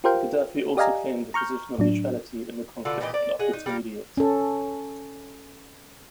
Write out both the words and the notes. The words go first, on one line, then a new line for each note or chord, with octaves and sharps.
Gaddafi also claimed a position of neutrality in the conflict and offered to mediate.
F4 G4 A#4 C5 F5 G5
G4 D5 D#5 F5 G#5 A#5
A#5 C#6 F6 G6
A2 F#3 D4
B2 D3 F4 A4
A#2 E3 G4 D#5
D5 A#5
G#4 D#5 F#5
D#4
G3 A#4 F5
C#4 A4